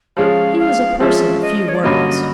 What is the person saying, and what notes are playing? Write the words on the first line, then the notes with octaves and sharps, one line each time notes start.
He was a person of few words.
F3 G#3 C#4 F4 G#4 F5
F5
F3 G#3 C#4 F4 G#4 E5
D#5
C#5
D5
G2 D3 F#3 A#3 C#4 D#5